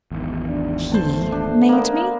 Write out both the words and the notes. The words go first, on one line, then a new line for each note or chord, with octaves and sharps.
"HE made me--?"
G#1 E2
D4
A3 C5 A5
D4
A#3 B3